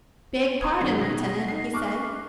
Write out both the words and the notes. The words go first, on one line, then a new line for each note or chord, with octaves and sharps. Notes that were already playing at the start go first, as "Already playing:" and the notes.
"Beg pardon, lieutenant," he said.
G5 C6 C#6 D#6 G#6
F#2 D#3
B2 A#6
D#4 C7
C#6 D6 F6 F#6